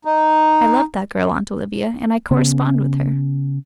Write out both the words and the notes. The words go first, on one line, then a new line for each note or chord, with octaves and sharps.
I loved that girl, Aunt Olivia, and I correspond with her.
D#4
C#3 B3 C#4